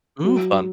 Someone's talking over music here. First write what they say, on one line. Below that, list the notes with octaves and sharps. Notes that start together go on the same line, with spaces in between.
Ooh, fun.
F#3